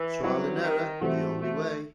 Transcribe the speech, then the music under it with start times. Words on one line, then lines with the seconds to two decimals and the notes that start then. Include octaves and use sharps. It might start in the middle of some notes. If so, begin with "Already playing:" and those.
Trial and error. The only way.
Already playing: E3
0.23 F#3 G3 C4 E4 G4 B4
0.62 D#3
1.01 E3 G3 A3 C4 F#4
1.41 A3